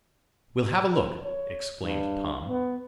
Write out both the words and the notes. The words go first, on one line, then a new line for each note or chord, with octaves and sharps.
"We'll have a look!" exclaimed Tom.
C#5
G2
B3